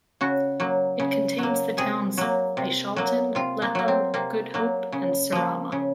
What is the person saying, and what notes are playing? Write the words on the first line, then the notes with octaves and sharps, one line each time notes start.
It contains the towns Aishalton, Lethem, Good Hope and Surama.
C#3 F#4
F#3 A#3
C#3
F#3 A#3
C3 G#4
F#3 A#3
C3
F#3 A#3
C3 F4
A#3
F#3 A#3
C4
C3 A#3
F#3 A#3
C#3
F3 A#3
C#3